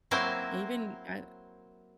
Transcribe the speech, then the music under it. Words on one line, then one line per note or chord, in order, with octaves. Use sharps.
even I
F#3 A#3 C4 E4 C5 E5